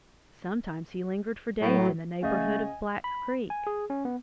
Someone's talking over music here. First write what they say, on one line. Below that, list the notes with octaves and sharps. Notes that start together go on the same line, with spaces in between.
Sometimes he lingered for days in the neighborhood of Black Creek.
A2 F#3
C#3 A3 D#5 F5 G#5
B5
G#5
G#4
C#4
B3